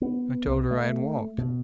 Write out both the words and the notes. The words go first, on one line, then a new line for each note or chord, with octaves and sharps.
I told her I had walked.
B3
C2
A3
B2